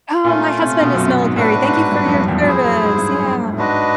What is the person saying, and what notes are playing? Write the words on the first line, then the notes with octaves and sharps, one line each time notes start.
Oh, my husband is military. Thank you for your service, yeah.
A#2 A3 C#4 F4
C3
B2
F#2
G#2
A2 D4 F#4 B4
G#2
G2
F2
G2
F#2
E2
F2
F#2
F2 E4 G#4 C5
F#2
G#2
G2
F#2
G2
A2
G#2 D4 F#4 B4 D#5